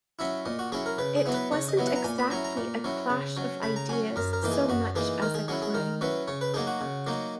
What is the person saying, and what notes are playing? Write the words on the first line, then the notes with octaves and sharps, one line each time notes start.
It wasn't exactly a clash of ideas so much as a clang.
F#3 C#4 E4 E5
A#2 D#5
F#4
F#3 C#4 E4 G#4
A#4
C#3 B4
G#4
F#3 B3 E4
B4
C#3 C#5
D#5
F#3 B3 E4
F#5
A#5
A#2 G#5
B5
F#3 C#4 E4 A#5
A#5
A#2
F#3 C#4 E4
C#3
F#3 C#4
C#3 B5
A#5
F#3 C#4 G#5
F#2 A#4
A#4
E3 A#3 D#4
G#4
F#2 F#4
E3 A#3 D#4 G#4
D#3 A#4
G#4
F#3 C#4 E4 G#4
G#4
D#3 A#4
F#3 C#4 E4 B4
C#3 C#5
B4
F#3 A#3 D#4 G#4
F#4
C#3
F#3 A#3 D#4